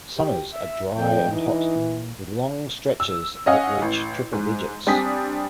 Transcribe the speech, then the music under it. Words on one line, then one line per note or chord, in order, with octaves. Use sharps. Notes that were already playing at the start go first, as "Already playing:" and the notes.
Summers are dry and hot, with long stretches that reach triple digits.
G4
E5
F2 G5
E3 D#4
A#2
E6
C#4 D#5 F5 F#5 G#5
A1
G#2
G3 C4 D4 G#5 D#6 B6